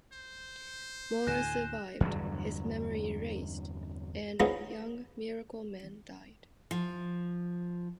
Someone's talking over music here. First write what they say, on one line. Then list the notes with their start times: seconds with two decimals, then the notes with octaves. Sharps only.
Moran survived, his memory erased, and Young Miracleman died.
0.12 C5
1.27 D2 A2 D3 G#5 F#6 A#6 E7
2.01 E2 G2 D3 F#3
4.40 F3 G#3 B3 C#4 D#4 E4
6.71 F3